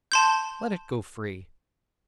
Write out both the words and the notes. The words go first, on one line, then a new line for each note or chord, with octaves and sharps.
Let it go free.'
A5 C6 G6